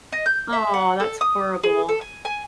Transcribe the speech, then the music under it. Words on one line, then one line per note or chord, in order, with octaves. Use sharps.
Aw, that's horrible.
D#5
G6
E5
F#5
A4
D#6
G#4
A4
G#5
G#5